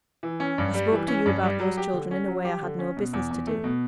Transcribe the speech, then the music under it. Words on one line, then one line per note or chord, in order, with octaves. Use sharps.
I spoke to you about those children in a way I had no business to do.
E3
C#4
G2
G3
E3
C#4
G2
G3
F#3
G4
D3
C#4
F#3
G4
D3
C#4
B2
E2
E2
A3
B2